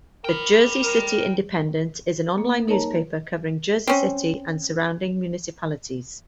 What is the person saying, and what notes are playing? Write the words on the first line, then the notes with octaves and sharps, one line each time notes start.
The "Jersey City Independent" is an online newspaper covering Jersey City and surrounding municipalities.
A#4 G5 B5
A#4
A#3
D#4 A#4 C#5 D#5 A5 A#5
C4 C#4